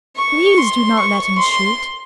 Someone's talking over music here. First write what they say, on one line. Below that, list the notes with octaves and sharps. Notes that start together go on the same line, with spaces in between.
"Please do not let him shoot!"
C#6
C6
C#6
C6